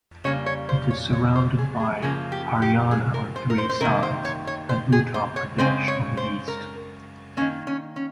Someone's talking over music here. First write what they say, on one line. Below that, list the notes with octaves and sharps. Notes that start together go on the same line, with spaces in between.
It is surrounded by Haryana on three sides and Uttar Pradesh on the east.
C#3 G3 A#3 C#5
C#5
C5
C#5
C#5
C5
G#4
G#4
C#3 F3 A#3 G#4
G4
G4
G#4
A#4
C5
A#4
C5
C5
C3 D#3 A#3 A#4
C5
C#5
C#5
C5
G#4
C5
C#5
C#3 G#3 C4 C5
C#5
C5
A#4
D#3 A#3 C#4
C#4
C#4